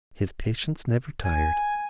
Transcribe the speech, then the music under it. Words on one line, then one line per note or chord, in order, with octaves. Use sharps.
His patience never tired.
G#5